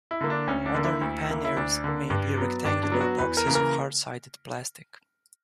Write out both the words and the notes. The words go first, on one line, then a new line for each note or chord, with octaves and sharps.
Modern panniers may be rectangular boxes of hard-sided plastic.
E4
D3 A#3
D4
D2 C#4
D4
D3 A#3
E4
D2
D3 A#3
E4
D2 D4
D3 A#3
G2
F#3 B3
G2 D4
D4
F#3 B3
F#4
E2 B4
A#4
C#3 E3 A#3
A#4